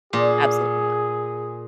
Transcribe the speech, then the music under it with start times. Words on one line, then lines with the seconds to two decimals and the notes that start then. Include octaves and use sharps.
Absolutely not.
0.13 A#2 G#4